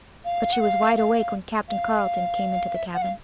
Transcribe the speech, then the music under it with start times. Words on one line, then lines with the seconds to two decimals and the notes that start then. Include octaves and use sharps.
But she was wide awake when Captain Carleton came into the cabin.
0.25 F5
0.53 F#5
0.61 F5
0.96 F5
1.69 F5
2.75 E5
2.94 F#5
3.02 F5